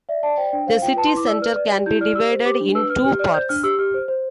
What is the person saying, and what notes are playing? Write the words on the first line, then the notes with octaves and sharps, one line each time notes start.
The city centre can be divided in two parts.
D5 E5
D5 A5
C5 G5
D4 G5
C5 F5
F4 G5
B4 A5
C6
E4 D6
D5 E6
B4 F6
D5
G4
E4 G6
D5 F6
G4 E6
C5
G4 D6
D4
B4 E6
B4 F6
G4 F6
D5 F6
C5 G6
D4 F6
G4 E6
G4 F6
C5
C5